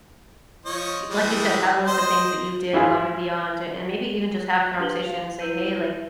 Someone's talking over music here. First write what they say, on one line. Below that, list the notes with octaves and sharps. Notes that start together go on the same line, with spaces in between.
y like, you said, have a list of things that you did above and beyond, and maybe even just have conversations, say, "Hey, like,
F3 C#5 D#5
E3 G3 G#3
C5 D#5 C6
E3 E4 F4 G#4
D4 G4 B4 A6 F#7 G7
F5 F7
E4 B4 E6 G6 D#7